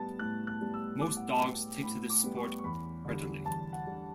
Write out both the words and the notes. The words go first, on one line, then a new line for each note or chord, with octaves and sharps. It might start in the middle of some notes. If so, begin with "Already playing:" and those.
Most dogs take to this sport readily.
Already playing: A2 G3 B3 A5
A2 F#6
F#6
G3 B3
E6
A2 D6
F#5
G5
G3 B3
A2 B5
D6
G3 B3
C#6
C#6
E2 B5
D3 G3
E2 A5
F#5
D3 G3